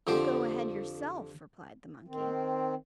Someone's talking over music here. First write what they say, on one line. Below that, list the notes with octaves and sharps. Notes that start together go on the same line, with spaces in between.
"You go ahead yourself," replied the monkey.
F2 D3 F3 G4 C5 G5
D#3 C4